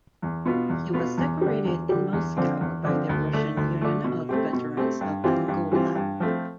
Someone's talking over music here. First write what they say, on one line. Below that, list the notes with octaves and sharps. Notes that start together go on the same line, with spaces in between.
He was decorated in Moscow by the Russian Union of Veterans of Angola.
E2
B2 B3 F4
E2
B2 B3 F4
E2
G3
D3
E2
D3 G3
E2
D3 F3 C4
E2
D3 F3 C4
D2
D3 A3
D2
D3 A3
B2
A3 C4 G4
B2
A3 C4 G4
G2
E3 G3 C4 F4
G2
E3 G3 C4 F4
G2
F3 A3 C4